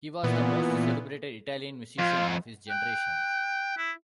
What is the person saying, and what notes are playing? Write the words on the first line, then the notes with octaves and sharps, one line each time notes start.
He was "the most celebrated Italian musician of his generation".
A#2 E3 B3
F2 F4
G5 F#6
E4